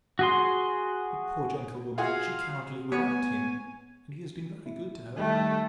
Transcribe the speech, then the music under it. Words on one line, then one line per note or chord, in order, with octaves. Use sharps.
But, poor gentlewoman, she cannot live without him: and he has been very good to her.
F#4 G#4 C6
F4 F#4 G#4 F5
B3 C#5 G#5
E4
D#3 G3 A3 A4